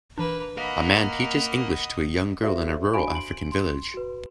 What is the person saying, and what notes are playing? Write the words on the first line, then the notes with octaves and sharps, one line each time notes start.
A man teaches English to a young girl in a rural African village.
E3 A#3 D4 B4
A#4 D#5 F5 F#5 B5
F#4 A4 C5 D5 E5 F5
D4 F#4 F5 G#5 B5 D7
C6 D7 F#7
C6
F#4 B4